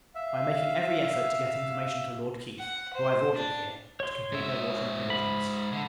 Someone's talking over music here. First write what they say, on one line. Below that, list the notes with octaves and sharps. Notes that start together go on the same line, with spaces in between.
I am making every effort to get information to Lord Keith; who I have ordered here, to complete their water and provisions.
E5 F5
F#5
C5
D4
C#5 C6
G#2 E5
B5
D3